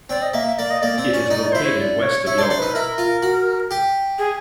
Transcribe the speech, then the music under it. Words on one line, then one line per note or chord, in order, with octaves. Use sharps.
It is located west of Yalta.
C4 D5
D#5
A#3 E5
E5
A#3 D5
D#5
A#3 D5
C4
C#4
D#4
E4 C5
C#5
D5
C#5
E4 C#5
D4
C5
D4
D#4 B4
E4 A#4
F4
F#4
G4
G#4